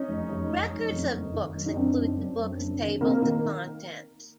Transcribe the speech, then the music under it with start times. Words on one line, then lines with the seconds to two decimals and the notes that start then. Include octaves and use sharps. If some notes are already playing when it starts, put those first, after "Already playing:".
Records of books include the book's table to contents.
Already playing: C#4 D#4
0.08 F1
0.29 F1
0.50 F1
0.72 F1
0.92 F2
1.14 F#1
1.34 D#3
1.56 F#2
1.66 D#4
1.75 F#2 C4 D4
1.98 F#1
2.17 F#2
2.39 F#2
2.60 F#1
2.81 D#3
3.01 D#3 A#3 C4
3.22 D#3 A#3